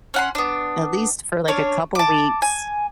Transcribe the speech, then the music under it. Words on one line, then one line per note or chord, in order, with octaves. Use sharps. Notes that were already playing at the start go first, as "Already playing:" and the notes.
at least for like a couple weeks,
C#4 F#5 C6
B3 D4
C#4 D4 C#5
A5 D6
G#5